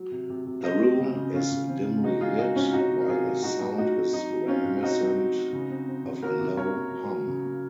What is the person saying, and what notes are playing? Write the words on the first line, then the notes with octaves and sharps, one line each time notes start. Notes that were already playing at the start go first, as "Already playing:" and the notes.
The room is dimly lit, while the sound is reminiscent of a low hum.
Already playing: F#3
C3
C3
C3
C4 C5 D#5
F#3
C#3
C#3
C#3 C#4 F4
C#3
C4
C#3
A#2 D#4 F#4
G#3 F4 G#4
C4 D#4 F#4
A#2 C#4 F4
C3 D#4 F#4
F#3
A#4
C3 F4 G#4
F#3
A#2 D#4 F#4
A#2
A#2 D#4 F#4
C4
F#3 D#4
F#3
C4 C#4 F4
C3
C4 D#4 F#4
F#3
F#3
F#3
C#3
C4
C4
C#3
A#3 F#4 A#4
C3
C3 A#4 C#5
A#3
F#3
F#3
C#3
A#3